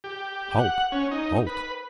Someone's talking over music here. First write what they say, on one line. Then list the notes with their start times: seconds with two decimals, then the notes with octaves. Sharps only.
"Halt! halt!"
0.04 G4
0.59 F#5
0.92 C#4
1.11 D#4
1.46 B4